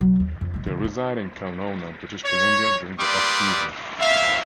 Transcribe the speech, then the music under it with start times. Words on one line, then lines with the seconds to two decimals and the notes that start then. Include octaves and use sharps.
They reside in Kelowna, British Columbia, during the off-season.
0.01 B1 F#3
0.20 D#2
0.41 F2
0.54 E1 G#3
0.66 B1 D3
0.84 D#4
2.24 C#5
2.98 G3 A#3 B4 D5 C6 D#6
4.00 E5 F5